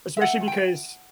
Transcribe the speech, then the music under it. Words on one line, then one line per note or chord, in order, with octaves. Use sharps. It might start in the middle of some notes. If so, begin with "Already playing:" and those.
especially because,
E5
A3 F#5
E2
G5